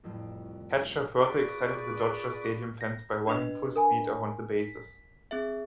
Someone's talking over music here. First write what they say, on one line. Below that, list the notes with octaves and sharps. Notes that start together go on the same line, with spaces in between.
Hatcher further excited the Dodger stadium fans by running full speed around the bases.
C2 F2 A2 F3 C4 F4
A#2 G#4 B4 D5 C#6
A#6
D4 B4 D#5
A#4 G#5 B5
B6
C4 G#4 E5